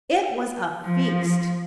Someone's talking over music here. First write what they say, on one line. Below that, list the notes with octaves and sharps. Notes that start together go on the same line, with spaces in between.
It WAS a feast!
F3